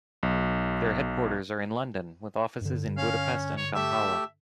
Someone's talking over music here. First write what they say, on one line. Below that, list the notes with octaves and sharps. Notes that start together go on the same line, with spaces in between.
Their headquarters are in London, with offices in Budapest and Kampala.
B1
G2 D3
C#4 F5
C#5
A3 G4 E5 E6